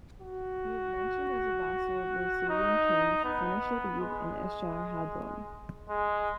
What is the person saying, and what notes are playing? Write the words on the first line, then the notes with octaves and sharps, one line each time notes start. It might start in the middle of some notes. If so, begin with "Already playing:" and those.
He is mentioned as a vassal of the Assyrian kings Sennacherib and Esarhaddon.
F#4
D#4
B3
G#3
G#3